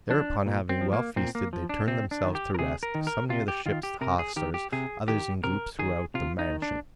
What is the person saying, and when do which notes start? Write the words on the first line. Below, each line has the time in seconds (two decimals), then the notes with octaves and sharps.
Thereupon having well feasted they turned themselves to rest, some near the ship's hawsers, others in groups throughout the mansion.
0.10 F3 D4
0.46 A#2
0.69 C4
0.81 F3
0.93 A#3
1.16 A#2 C4
1.35 A#3
1.53 F3
1.69 D4
1.87 C3 C4
2.11 D4
2.23 D#3
2.35 G4
2.55 A#4
2.59 C3 G#4
2.83 A#4
2.95 D#3
3.07 A#4
3.30 C3 F4
3.48 G4
3.66 D#3 F4
3.83 G4
4.01 C3 A#4
4.19 G#4
4.36 D#3 G4
4.54 G4
4.72 C3 G#4
5.08 D#3 G4
5.44 C3 A#4
5.79 D#3 G#4
6.14 C3 F4
6.39 D#4
6.51 D#3
6.62 D4